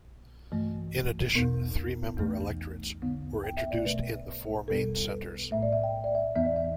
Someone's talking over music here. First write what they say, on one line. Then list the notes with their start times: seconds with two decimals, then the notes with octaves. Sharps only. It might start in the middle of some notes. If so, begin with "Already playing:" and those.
In addition, three-member electorates were introduced in the four main centres.
0.52 G2 E3 A3
1.35 E2 B2 B3
2.17 E2 E3 A3
3.02 E2 D3 B3
3.44 G5
3.57 E5
3.71 D5
3.85 B2 A3 B4
4.68 E2 B2 G3 B3 A4
5.09 B4
5.51 A2 A3 E5
5.63 D5
5.73 E5
5.84 G5
6.04 D5
6.15 E5
6.36 E2 E3 B3 E5
6.46 D5
6.56 E5